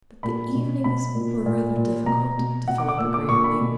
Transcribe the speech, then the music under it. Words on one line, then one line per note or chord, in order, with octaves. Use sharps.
But the evenings were rather difficult to fill up agreeably.
A#2 B5
B2
B2 B5
A#2
A#2
A#2
B2 A#5
B2
B2 F#5
D6
D6
A#2 E6
D6
A#2 C#6
B5
B2